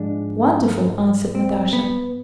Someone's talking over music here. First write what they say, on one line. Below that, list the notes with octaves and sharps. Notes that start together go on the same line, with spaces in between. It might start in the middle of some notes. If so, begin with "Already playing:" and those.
"Wonderful!" answered Natasha.
Already playing: G#2 F3 G#3 D4
C4
B3